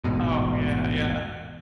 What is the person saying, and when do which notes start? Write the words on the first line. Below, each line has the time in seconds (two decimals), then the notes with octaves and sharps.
Oh, yeah yeah.
0.04 E1 A1 G#2 B2